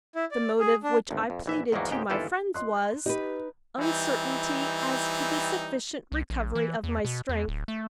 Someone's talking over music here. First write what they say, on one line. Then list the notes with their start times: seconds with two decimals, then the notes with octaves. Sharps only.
The motive which I pleaded to my friends was--uncertainty as to the sufficient recovery of my strength.
0.15 E4
0.31 D5
0.59 G#4
0.83 D4
1.11 G#1 D2
1.30 F2
1.46 A#1 E3 E5
1.72 E2 G#2 D#3 F#3 A#3 B3
1.91 C#2 G#2 G#3 G4 G5
2.10 G1 D#2 E3 E4 F4 A4
2.54 D#5 C6 F#6
3.06 D#4 G4 B4
3.78 E3 G3 C4 D#4
6.12 C2
6.30 A#1
6.55 E3
6.84 E2
7.05 B2
7.29 E2
7.48 D1
7.68 A3